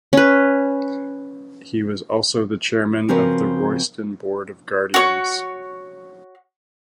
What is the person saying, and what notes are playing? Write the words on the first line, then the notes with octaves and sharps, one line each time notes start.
He was also the chairman of the Royston Board of Guardians.
C#4 B4
C#3 F3 C4 F#4 A#4 B4
F#4 C#5